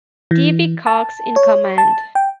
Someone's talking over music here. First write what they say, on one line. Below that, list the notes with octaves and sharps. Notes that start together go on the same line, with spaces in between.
D. V. Cox in command.
E3
A5
C#5
A5
G5